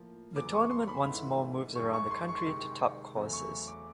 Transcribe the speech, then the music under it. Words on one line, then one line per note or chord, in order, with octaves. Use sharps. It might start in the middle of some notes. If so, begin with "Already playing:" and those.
The tournament once more moves around the country to top courses.
Already playing: A2 F3 A#3
E2 C#3 F#3 B3 D6
C#6
C6
B5
G#2 E3 A3
F#2 D#3 G#3 C#6
C#6
C6
C#6
C6
C3 D#3 G#3 C#6
E2 C#3 F#3 A3 C4
C#6
D6